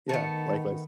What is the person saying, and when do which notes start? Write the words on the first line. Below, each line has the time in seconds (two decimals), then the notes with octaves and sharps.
Yeah, likewise.
0.09 D#3 A3 B3 A5